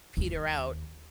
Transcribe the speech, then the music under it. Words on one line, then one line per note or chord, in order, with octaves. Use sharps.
peter out
D#2 C#4